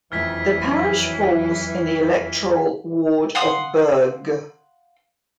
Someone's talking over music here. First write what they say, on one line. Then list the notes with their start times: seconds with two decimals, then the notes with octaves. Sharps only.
The Parish falls in the electoral ward of Burgh.
0.12 E1 F2 E3 F#3 A3 F6 G#6 B6
3.35 F5 F#5 C6 D#6